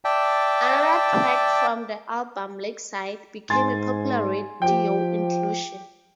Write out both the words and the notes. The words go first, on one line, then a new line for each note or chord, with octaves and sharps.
Another track from the album, "Lakeside", became a popular radio inclusion.
D5 E5 G5 A5
G#2 G#5 C6 A6
F3 G4 G5